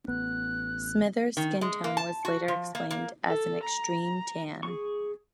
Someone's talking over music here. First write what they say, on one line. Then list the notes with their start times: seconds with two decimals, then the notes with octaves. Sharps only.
Smithers' skin tone was later explained as an "extreme tan".
0.08 A1 B3 F#6
1.37 D#3
1.61 G#3
1.84 A#3
1.97 A5
2.25 F#4
2.48 F3
2.75 A#3
2.91 A#3
3.26 A4
3.64 A#5
4.63 G#4 C#6